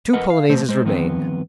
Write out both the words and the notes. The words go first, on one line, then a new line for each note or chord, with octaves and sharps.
Two Polonaises remain.
F2 A#4 B4 D#5 F#5
F5
E2 B2 A3 C5
G#3 C5
E2 G2 D#3 F3 B3 C4